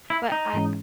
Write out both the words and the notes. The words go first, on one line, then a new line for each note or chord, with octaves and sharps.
but, I
E4
D#4
G#2 E3 G#3 C#4